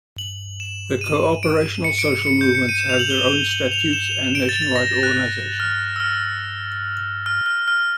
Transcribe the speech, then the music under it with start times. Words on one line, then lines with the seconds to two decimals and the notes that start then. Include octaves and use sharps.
The cooperational social movements have their own statutes and nationwide organization.
0.18 F#7
0.60 E7
1.01 D#7
1.43 D7
1.84 C#7
1.99 D7
2.12 C#7
2.27 C#7
2.41 G6
2.55 C#7
2.69 D#7
2.78 E7
2.89 F7
2.99 F#7
3.10 G7
3.51 F#7
3.72 F7
3.93 E7
4.35 D7
4.49 A6
4.62 A6
4.76 A#6
5.03 F#6
5.17 F#6
5.60 F6
5.96 E6
6.00 F6
7.26 F6
7.46 F6
7.68 F6